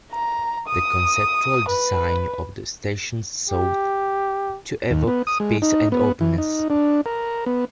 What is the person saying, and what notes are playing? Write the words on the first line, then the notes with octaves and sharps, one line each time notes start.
The conceptual design of the stations sought to evoke space and openness.
A#5
D#6
B4
G4
D#2
B3
D#6
G#3
D#4
B3
E3
D#4
D4
A#4
B3